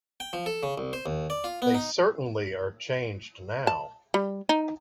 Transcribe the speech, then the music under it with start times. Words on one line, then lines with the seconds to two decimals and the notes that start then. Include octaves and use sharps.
They certainly are changed now.
0.20 G5
0.33 F3
0.46 A4
0.63 C#3
0.78 C2
0.93 C5
1.06 D#2
1.30 D5
1.44 F4
1.62 B3
1.74 D#4
3.67 A5
4.14 G3
4.49 D#4